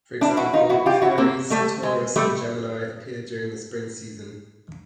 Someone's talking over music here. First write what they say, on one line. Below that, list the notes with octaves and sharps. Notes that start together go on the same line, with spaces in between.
For example, Aries, Taurus, and Gemini appear during the spring season.
D4 E4
E4 F#4
D#4 F4
E4 F#4
F4 G4
E4 F#4
A#3 C4
G3 A3
G#3
G3 A3